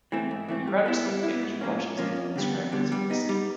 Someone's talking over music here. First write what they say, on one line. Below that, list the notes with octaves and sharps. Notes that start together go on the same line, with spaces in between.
The crowd of spectators rushes in and scrambles for the seed.
E3 A3 C4
G#2
E3 A3 C4
G3
B3 E4
G3
E4
B3
G#2
F3 A#3 C#4
G#2
F3 A#3 C#4
F2
D3 G3 B3
F2
D3 G3 B3
G3
B3 D#4
G3